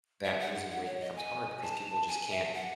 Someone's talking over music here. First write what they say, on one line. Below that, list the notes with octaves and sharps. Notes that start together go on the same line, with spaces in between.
that losing weight becomes hard because people just can't
E5
F#5
F#5
F#5
C#5
D#5
G#5
A5
G#5
E5
F#5